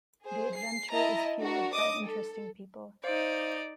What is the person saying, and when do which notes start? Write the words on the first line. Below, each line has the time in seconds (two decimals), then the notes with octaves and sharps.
The adventure is fueled by interesting people.
0.25 G#4 C5
0.56 C7
0.91 E4 D#5 A5 A#5
1.37 D4 F#4 A#4
1.74 D#5 D6 D#6
2.03 A4
3.04 D#4 C5 D5 F5